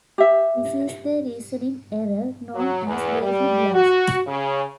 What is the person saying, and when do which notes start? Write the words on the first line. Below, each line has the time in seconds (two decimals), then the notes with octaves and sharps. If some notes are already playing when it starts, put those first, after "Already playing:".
This is the reasoning error known as belief bias.
0.18 G4 E5
2.55 F#3
2.87 E2
3.22 G3
3.74 F#4
4.27 C#3